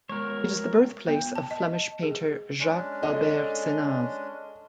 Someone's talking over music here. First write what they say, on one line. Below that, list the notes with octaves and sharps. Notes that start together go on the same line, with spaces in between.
It is the birthplace of Flemish painter Jacques-Albert Senave.
G#3 B3 F#4 A#4 C#5
B3
A5
D#5
G#4
G#3 C#4 D4
A4 D#5